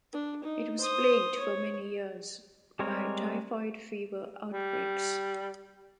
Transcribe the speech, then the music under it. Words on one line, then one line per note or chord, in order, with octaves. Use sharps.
It was plagued, for many years, by typhoid fever outbreaks.
D4
D#4
C5 D#6
C#5
G3 G#3 C4 A#4 C#5
G3